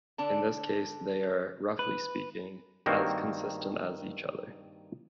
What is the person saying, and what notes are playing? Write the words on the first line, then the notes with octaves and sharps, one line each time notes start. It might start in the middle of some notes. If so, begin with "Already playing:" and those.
In this case, they are, roughly speaking, "as consistent as each other".
D3 D4 A5
B4
G2 D#3 A#3 C4 F#4